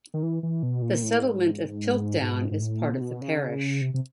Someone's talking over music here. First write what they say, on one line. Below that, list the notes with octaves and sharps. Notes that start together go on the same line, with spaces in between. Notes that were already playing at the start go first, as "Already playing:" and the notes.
The settlement of Piltdown is part of the parish.
D#3
E3
E3
B2
A#2
A2
G#2
G#2
G#2
A2
A#2
C3
B2
C#3
C3
C3